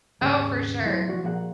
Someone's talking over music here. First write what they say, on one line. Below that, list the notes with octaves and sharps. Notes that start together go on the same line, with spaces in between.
Oh, for sure.
D#2 G#2 C#3 G#3
E2 A2 F#3 E4 C5
F3 F#4 D5
A#2 F3 A#3 G#4 F#5